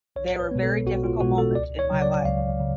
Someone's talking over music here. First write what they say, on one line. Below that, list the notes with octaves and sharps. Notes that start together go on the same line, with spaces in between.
They were very difficult moments in my life.
B1 C#5
C#5
B4
B2 G#3 B3
A4
B1 F#4
F4
B2 G#3 B3 F#4
A4
C#2 D5
C#5
C#3 F#3
D5
C#2 F5
C#3